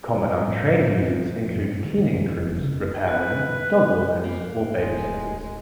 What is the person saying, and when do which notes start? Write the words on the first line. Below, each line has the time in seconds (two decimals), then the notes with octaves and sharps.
Common untrained users include cleaning crews, repairmen, dog walkers, or babysitters.
0.17 G3
0.47 A2
0.89 G3
1.18 F3
1.52 G2
1.84 D#3
1.97 D#3
2.15 F3
2.38 F1
2.59 C#3
3.08 B4 F#6
4.24 A#3
4.78 D1 G#3